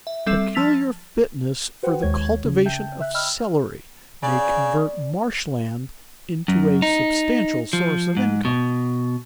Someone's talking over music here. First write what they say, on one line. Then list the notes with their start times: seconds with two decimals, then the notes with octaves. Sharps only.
Peculiar fitness for the cultivation of celery may convert marsh land into a substantial source of income.
0.07 E5
0.26 G3 C4 A4 E5 E6 E7
0.55 F3 A5 E6 A6 B6 F7
0.70 A6
1.83 F#4 B4 C5 F#5 G5
2.02 D#2 G#3 C#5 G#6
2.45 C#3
2.66 E5 G5 A5 G6
3.00 E5 F#6
3.14 D#5 G5 B5 E6 F6
4.23 C#3 D5
6.48 F#2
6.82 D#4
7.73 F3
8.17 G#2
8.45 B2